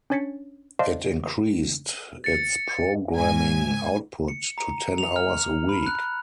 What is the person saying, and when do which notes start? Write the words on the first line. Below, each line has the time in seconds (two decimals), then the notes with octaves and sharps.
It increased its programming output to ten hours a week.
0.10 C#4 D4 C#5 A6 B6 C#7
0.79 C5 D5 D#5 F5 A5 C6
2.24 A6 C#7
3.17 G#2 G#5
4.28 C#7
4.58 A#5
4.98 F7
5.16 F6
5.69 B5
5.87 F#6